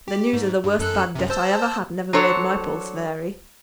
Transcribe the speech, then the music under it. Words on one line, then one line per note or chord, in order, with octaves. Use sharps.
The news of the worst bad debt I ever had, never made my pulse vary.
G4
G#2
G2
F#2 A4 F#6
F#2 C3
C5 A5 E6
F#3 D4 A4 C5 C#5